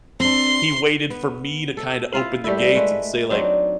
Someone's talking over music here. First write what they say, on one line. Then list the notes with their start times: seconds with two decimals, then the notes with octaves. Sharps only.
he waited for me to kinda open the gates and say, like,
0.20 C4 D4 C6
1.10 B3
1.77 A4
2.13 E4 F4 F5
2.44 G3 A3 A#3 E4
2.75 G#3 A3 B4
3.30 F#3 C4 D4 D#4